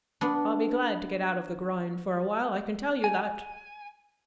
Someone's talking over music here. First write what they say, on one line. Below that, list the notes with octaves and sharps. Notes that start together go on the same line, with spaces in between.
I'll be glad to get out of the grind for a while, I can tell you that.
B3 D4
G#5